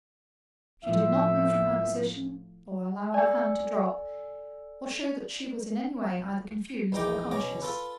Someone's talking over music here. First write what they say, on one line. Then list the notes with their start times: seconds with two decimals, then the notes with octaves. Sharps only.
She did not move from her position, or allow her hand to drop, or show that she was in any way either confused or conscious.
0.84 A2 F3 E5
3.14 A4 D5 G#5
6.92 A#1 E2 D#4 G5 A#5 D6
7.31 B2 C#4 A#5 D6
7.62 F4 A4 B4